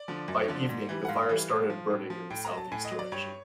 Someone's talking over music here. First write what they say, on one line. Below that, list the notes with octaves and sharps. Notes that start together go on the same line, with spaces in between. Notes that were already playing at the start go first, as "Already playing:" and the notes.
By evening, the fire started burning in a southeast direction.
Already playing: D5
D3 F3
F#2
D3 F3
G#2
E3 G3
F#5
G#2 F5
E3 G3
A2
F3
A2
F3
A2 G5
A#5
F#3
A5
A2 G#5
D#5
F#3
D5
G2 C#5